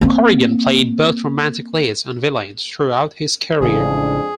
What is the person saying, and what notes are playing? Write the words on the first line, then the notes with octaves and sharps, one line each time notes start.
Corrigan played both romantic leads and villains throughout his career.
A#3 C4
A1 F2 C#3 E3 G#3 D4 G#4